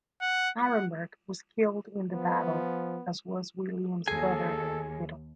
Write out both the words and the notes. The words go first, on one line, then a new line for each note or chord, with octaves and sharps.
Aremberg was killed in the battle, as was William's brother Adolf.
F#5
F#5
F3 B3
D#2 G#4 A4 G#5